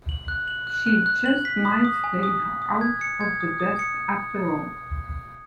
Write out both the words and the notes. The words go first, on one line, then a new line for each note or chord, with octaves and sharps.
She just might stay out of the dust after all.
F#7
F#6
F#7
F#6
F#6
F#6
F#7
B6
D#6
D#6
G#5
D#6
D#6
D#6
G#6
C#7
G#6
D#6
D#6
C#7